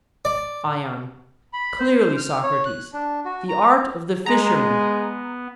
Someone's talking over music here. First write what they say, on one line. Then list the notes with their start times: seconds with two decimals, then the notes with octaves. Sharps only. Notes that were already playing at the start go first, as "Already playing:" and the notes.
ION: Clearly, Socrates, the art of the fisherman.
0.25 D5
1.53 B5
1.80 C5
2.17 F6
2.43 C#5
2.66 F#6
2.93 D4
3.25 F#4
3.49 A#5
4.26 G#3 B3 G#4 A#5